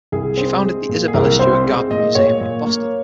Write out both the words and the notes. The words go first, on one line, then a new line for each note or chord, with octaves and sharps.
She founded the Isabella Stewart Gardner Museum in Boston.
C2 G#4
C4
G#3
A#2
G#4
C2 A#4
C4 C5
G#3
A#2 D#5
A#2 C#5
A#2
A#3